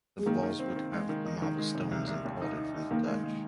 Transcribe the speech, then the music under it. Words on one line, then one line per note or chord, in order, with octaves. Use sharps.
The floors would having the marble stones imported from Dutch.
G#3
D#3 A#3
D#3
C4
D#3
G#3
D#3
D#4
D#3
G#3
C3
C2
C2
D#2
D#4
D#4
D#4
D#3 A#3
G#3
G#3